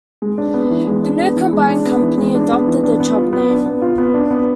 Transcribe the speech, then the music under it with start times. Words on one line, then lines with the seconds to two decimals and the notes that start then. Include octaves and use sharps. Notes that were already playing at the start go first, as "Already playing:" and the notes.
The new combined company adopted the Chubb name.
0.22 G#3
0.38 D4
0.54 B3
0.71 E3
0.87 G#3
1.04 D4
1.20 B3
1.36 E3
1.53 G#3
1.69 D4
1.86 B3
2.02 E3
2.18 G#3
2.35 D4
2.51 B3
2.67 E3
2.83 D4
3.00 B3
3.16 F4
3.33 B3
3.49 D4
3.66 B3
3.82 F4
3.98 B3
4.14 D4
4.31 B3